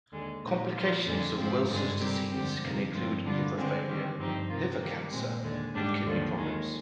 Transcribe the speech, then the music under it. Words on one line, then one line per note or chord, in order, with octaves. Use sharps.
Complications of Wilson's disease can include liver failure, liver cancer, and kidney problems.
D#2 D3 G#3
A#2 G#3 D#4 G4
F3 A#3 F4 C5
F2 D3 G#3
G#2 F3 C4
G2 D3 G#3
C3 G3 C4 G4 A#4
F2 D3 G#3 C4 G4
F2 C3 F3 A#3 D#4
G2 F3 G#3 C4 F4
D3 G3 D4 F4
D3 G#3 C4
D#3 G3 C4
G2 F3 C4 D#4 G4
C3 F3 A#3 F4
D#3 G3 A#3
A#2 G#3 C4
D#2 D3 G#3
G#2 G3 D4
D#2 D3 F3
D#2 D#3 G#3